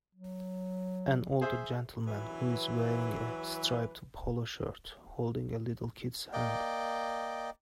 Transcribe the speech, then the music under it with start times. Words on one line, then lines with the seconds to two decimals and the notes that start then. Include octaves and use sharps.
An older gentlemen who is wearing a striped polo shirt holding a little kid 's hand.
0.15 F#3
1.41 G#4 C5 E5
2.06 E3 F#3 B4
6.33 A#3 D5 D#5 G5